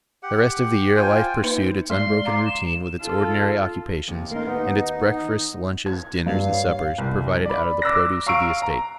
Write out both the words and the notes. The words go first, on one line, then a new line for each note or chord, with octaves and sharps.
The rest of the year life pursued its unbroken routine with its ordinary occupations, and its breakfasts, lunches, dinners, and suppers, provided out of the produce of the estate.
G4 F#5
F4 C5 G5 G#5
A#3 D#4 B4
G#3 D5 C6
F5 A#5 D6
E7
F4 A4
D#2 C3
A#3 D#4 A#4 C6
B3 D#4 F#5
G#6
G2 F5
C#5
C2
D5 B5
D6 E6 F#6 A#6
F5 A#5 C#6 E6 C7 D7
A#5